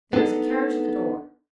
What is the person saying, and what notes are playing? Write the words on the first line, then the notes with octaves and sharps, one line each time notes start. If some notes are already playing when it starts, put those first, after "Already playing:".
There is a carriage at the door.
B3 D4 D#4 A4